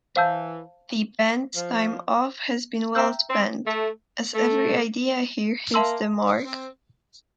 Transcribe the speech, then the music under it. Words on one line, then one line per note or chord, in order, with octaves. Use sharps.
The band's time off has been well-spent, as every idea here hits the mark.
E3 C5 F5 A5 E6 G6
F3
C4 E5 G5 A#5 E6 G6
C4
A3
A3
A#3 E5 A5 C6 E6
C4